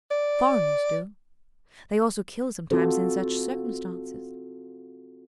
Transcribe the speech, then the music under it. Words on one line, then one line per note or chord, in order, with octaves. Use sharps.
Foreigners do; they also kill sometimes in such circumstances.
D5
C4 F4 F#4 A4 C5